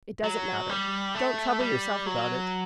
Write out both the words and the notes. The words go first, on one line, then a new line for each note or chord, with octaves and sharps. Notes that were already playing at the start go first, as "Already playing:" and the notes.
It doesn't matter; don't trouble yourself about it.
F#3
G3
A3
G3
F#3